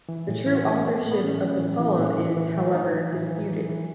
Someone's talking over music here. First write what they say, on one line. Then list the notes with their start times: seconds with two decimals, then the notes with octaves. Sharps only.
The true authorship of the poem is, however, disputed.
0.09 E3
0.28 A2
0.46 E3 E4
0.55 F#4
0.63 E4
0.65 E3
0.73 A3
0.84 A2
0.97 B3
1.04 A2 A3
1.12 B3
1.23 E3 C#4
1.41 A2
1.60 E3
1.80 E3
1.99 A2
2.18 E3
2.37 E3
2.56 A2
2.74 A2 D#4
2.94 E3
3.12 E3
3.31 E3
3.50 E3
3.69 E3